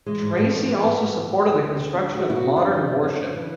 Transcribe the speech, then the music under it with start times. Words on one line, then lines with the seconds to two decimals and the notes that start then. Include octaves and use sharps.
Tracy also supported the construction of modern warships.
0.06 E3 G#3
0.21 G#2
0.37 G#2 A3
0.53 E3
0.68 E3 B3
0.84 G#2
1.00 G#2
1.16 E3
1.31 D2
1.47 E3
1.63 D2
1.78 C#3
1.93 D2 D4
2.09 E3
2.15 F#4
2.25 D2
2.30 E4
2.36 F#4
2.41 C#3
2.56 F#2 D4
2.72 E3
2.88 F#2
3.03 C#3
3.19 F#2
3.34 E3